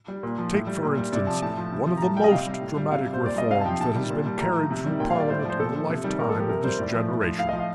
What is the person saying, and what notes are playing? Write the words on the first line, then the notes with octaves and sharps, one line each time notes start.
Take, for instance, one of the most dramatic reforms that has been carried through Parliament in the lifetime of this generation.
G3
A#2
F3
A2
G3
A#2
G3
C3 D5
F3 A5
A2 A5
F3
C3
F3
A#5
A2 A5
G3 G5
D#5
C3 F5
G3
A2
G3
C3 F5
G3
C5
A#2 D5
G3 D#5
C3 F5
A5
F3 G5
C3 A5
D#3 G3
A#2
G3
A2 A#5
F3
C3
D#3 G3
A#2 G5
F5
G3
D5
A2 C5
D5
F3 C5
A#2 A4
F3
C3
D#3 G3
A#2 A#4
A4
F3
G4
C3 A#4
G3 C5
A2 D5
F3
A2
F3
A2 F5
F3 D#5
F5